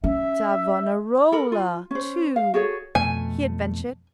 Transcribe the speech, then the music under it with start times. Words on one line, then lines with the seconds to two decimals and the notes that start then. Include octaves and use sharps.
'Savonarola, too,' he adventured.
0.04 C#4 E5
1.32 A4 A#4 B5
1.52 F4
1.91 C#4 C5
2.36 F5
2.54 F#4 G#4 A4 C#5
2.95 F2 B2 A3 G#5